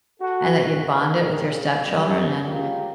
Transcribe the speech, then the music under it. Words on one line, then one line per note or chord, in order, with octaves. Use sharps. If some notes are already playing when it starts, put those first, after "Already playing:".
and that you've bonded with your stepchildren and,
F#4 A4
E2
D#2 G#2 B2 D3 D#3
C#3
G3
C#3 G#3 A#3 C#4 F4 G4